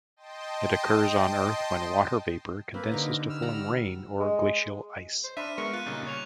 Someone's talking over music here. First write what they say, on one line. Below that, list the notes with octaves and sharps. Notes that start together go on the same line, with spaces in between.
It occurs on Earth when water vapor condenses to form rain or glacial ice.
D#5 G5 A5 C6
A#3 C4 B4
D3 D#4 G4
E6 F6
G3 F#5 A#5
G#3
C5
D4 E5 B5 C6 F6 D#7
G#3 B3 A#4 C#6
F4 F#6 D#7
A#2 C#3 G3 D#4
C#5 C#6 F7